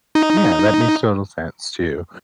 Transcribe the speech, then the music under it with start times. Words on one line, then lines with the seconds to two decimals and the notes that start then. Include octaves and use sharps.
Yeah, that makes total sense too.
0.15 D#4